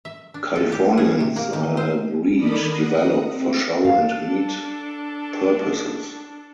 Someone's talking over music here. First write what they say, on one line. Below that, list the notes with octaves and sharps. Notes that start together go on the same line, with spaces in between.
Californians are a breed developed for show and meat purposes.
E5
D4
A4
G4
G#4
C3
A#3
D#3
C5
D#3 A4 A#4 D5 B5 D#6
F#5 A#5 D#6
C4
D4 A4 F5